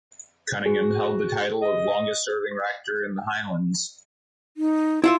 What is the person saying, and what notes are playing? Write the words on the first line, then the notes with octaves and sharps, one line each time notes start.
Cunningham held the title of longest serving Rector in the Highlands.
F#4 G#4
D#5
D#4
E4 F4 E5 C6